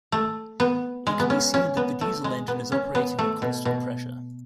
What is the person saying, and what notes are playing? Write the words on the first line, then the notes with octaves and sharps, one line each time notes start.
It can be seen that the diesel engine is operating at constant pressure.
A3
B3
G#3
B3
C#4
C#4
B3
A3
G#3
B3
C#4
B3
A3
B2
B2